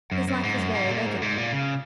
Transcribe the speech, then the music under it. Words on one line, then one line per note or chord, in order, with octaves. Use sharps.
His life was very regular.
F#2
F#2
G#2
F#2
G#2
A#2
G#2
F#2
G#2
A#2
C#3